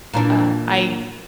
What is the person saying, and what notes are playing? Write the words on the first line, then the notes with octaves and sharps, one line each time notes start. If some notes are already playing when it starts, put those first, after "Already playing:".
uh, I
A#2 E3 D4